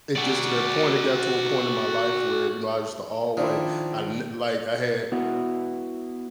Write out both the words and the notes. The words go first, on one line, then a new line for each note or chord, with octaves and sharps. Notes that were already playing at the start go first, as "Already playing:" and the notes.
It gets to that point, it got to a point in my life where, you know, I used to alway I n like, I had
F#4 D5
D#3 F3 D4 E4
B3 E4 F#4